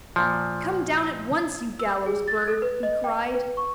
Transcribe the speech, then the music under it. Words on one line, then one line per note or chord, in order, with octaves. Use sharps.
'Come down at once, you gallows bird,' he cried.
A#2 F3
E6
G#4
A6
A4
B4
D#5
G5
B4
C#6